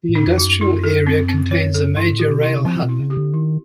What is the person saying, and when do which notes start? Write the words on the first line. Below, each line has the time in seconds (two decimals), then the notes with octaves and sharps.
The industrial area contains a major rail hub.
0.09 A2
0.15 D#4
0.27 F2
0.38 F#4
0.44 F#2
0.61 E4
0.84 A4
1.07 C4
1.29 C4
1.51 C#5
1.75 A4
1.97 G2 E4
2.14 A2
2.19 G4
2.31 B2
2.43 E4
2.49 C3
2.65 F3 C4
2.83 B2
2.89 E4
3.00 C#3
3.10 G4
3.17 D3
3.34 D#3 E4